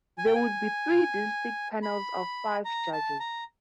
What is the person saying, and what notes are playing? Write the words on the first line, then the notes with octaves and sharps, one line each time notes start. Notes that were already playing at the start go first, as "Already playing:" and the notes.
There would be three distinct panels of five judges.
G#5
G5
G#5
B5
A#5
A5
A#5